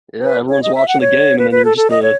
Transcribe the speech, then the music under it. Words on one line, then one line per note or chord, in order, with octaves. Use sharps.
Yeah, everyone's watching the game, and then you're just, uh,
B4
C#5
D#5
E5
F#5
C#5
B4
B4
A4
A4
D#5
C#5